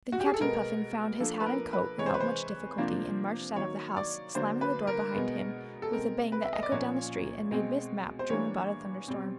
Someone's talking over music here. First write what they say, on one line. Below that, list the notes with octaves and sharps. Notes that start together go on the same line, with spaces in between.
Then Captain Puffin found his hat and coat without much difficulty, and marched out of the house, slamming the door behind him with a bang that echoed down the street and made Miss Mapp dream about a thunderstorm.
F#4
G4
G#4
A4
B2 G#3 B3 A#4
F3 A#3 D4 A4
B4
A#4
B4
C3 E3 G#3 C#5
C5
B4
C5
C3 F3 A#3 D4
D#3 F#3 A#3 C#5
D5
D3 F#3 A#3 D4 C5
B4
A#4
B2 G#3 B3
A4
B2 G#3 C4 A#4
B4
E5
D#5
D5
A#2 F3 A#3 C#4 C#5
B2 G#3 C4
C5
E3 G3 A#3 D4 C#5
B2 G3 C4